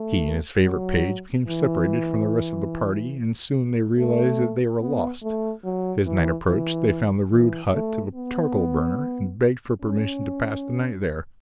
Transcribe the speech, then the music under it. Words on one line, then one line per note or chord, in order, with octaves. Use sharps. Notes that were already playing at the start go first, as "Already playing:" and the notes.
He and his favorite page became separated from the rest of the party and soon they realized that they were lost. As night approached they found the rude hut of a charcoal burner and begged for permission to pass the night there.
Already playing: A3
F#3
E3
A3
B3
A3
F#3
E3
E3
E3
A3
B3
C#4